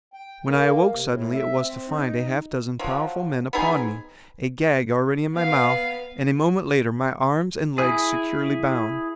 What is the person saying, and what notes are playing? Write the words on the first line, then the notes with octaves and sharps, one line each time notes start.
When I awoke suddenly it was to find a half-dozen powerful men upon me, a gag already in my mouth, and a moment later my arms and legs securely bound.
G5
A#3
C3
A2
E5
C4
D#4
F3 F#3
B3 C4 D#4 G#4
B3 F5
E4 G#4